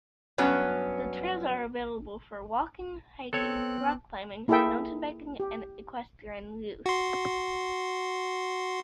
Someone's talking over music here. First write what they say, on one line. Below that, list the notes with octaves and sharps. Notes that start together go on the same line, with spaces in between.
The trails are available for walking, hiking, rock climbing, mountain biking and equestrian use.
G2 F#3 B3 C#4
B3 C4 A4 C#5 F#6
A#3 E4 G#4 A4 E5 G5
G4
F#4 C6